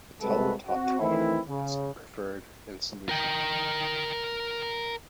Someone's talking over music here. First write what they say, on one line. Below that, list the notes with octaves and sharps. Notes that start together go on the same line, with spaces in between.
The tele-tautomer is preferred in solution.
C3 G3 G#3 F#4 A4 B4
C4 F#4
D#3 E3 A3 C4 E4
C#3
A#4 G5